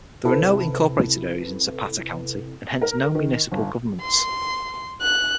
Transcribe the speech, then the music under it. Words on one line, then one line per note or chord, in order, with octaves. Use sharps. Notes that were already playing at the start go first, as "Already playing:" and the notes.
There are no incorporated areas in Zapata County and hence no municipal governments.
C3 C4 E4 A4 B4
A#4
D#3
G1
C6
F#6